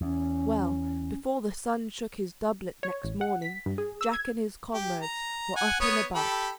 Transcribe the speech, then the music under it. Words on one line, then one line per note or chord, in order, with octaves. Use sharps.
Well, before the sun shook his doublet next morning, Jack and his comrades were up and about.
E2 C#4
C#5
A1
F#5
B6
G2
G#4
E6
G#6
G4
A#5
F#5 G#5
B3 C#5 D#6
G4 A4 B5